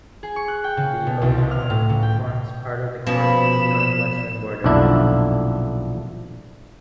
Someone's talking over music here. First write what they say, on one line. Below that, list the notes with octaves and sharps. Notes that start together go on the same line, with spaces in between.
The Aujon forms part of the commune's north-western border.
G#4
C#6
F#6
G5
C#3
B2
C2
C#2
F6
A2
C#3
G5
B2 F3 C#4 B5 E7
B1 F2 A#2 D3 D4 E4